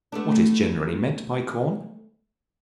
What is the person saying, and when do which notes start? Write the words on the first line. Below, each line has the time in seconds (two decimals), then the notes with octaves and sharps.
What is generally meant by Corn?
0.12 A3 B3 D4